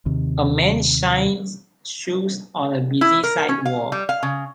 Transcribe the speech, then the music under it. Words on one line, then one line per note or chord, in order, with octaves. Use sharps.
A man shines shoes on a busy sidewalk.
D#2 C3
E4
A#4
C#4
F5
G3
F5
C#3